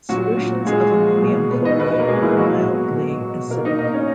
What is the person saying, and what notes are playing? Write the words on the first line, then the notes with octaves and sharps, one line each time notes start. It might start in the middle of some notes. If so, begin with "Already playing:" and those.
Solutions of ammonium chloride are mildly acidic.
A#2 F#3 F#4
A#2
A#2 G#3 G#4
A#2
B2
B2 B3 B4
D#4 D#5
B2 B3 B4
A#3 A#4
B2 G#3 G#4
E3 E4
B2 F#3 F#4
B2
B2
B2
B2 A#3 A#4
D#4 D#5
B2 D#4 D#5
C#4 C#5